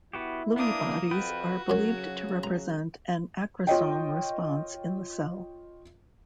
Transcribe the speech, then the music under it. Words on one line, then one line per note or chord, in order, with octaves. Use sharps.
Lewy bodies are believed to represent an aggresome response in the cell.
B3 E4 F#4 G4
A#3 B3 D4 D#6
F2 F4 F#4 B4 G5
F#2 C#3 F#3 C#4
A#5
F4 C#5 D#5 G5